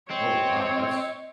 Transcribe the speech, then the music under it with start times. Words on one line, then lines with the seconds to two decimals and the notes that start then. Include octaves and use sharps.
Oh, wow. That's
0.10 C4 C#5 D#5